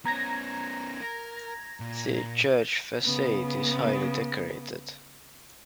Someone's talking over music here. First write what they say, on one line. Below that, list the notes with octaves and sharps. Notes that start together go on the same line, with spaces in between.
The church facade is highly decorated.
B3 C#4 A#5 G#6 A#6
A#4
A#2
C#3 B3